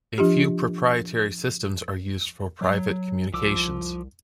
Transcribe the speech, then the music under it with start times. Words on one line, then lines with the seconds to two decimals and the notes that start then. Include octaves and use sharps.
A few proprietary systems are used for private communications.
0.18 F3 D4 F4 G4
2.61 F#3
3.34 C2 F3 D6 E6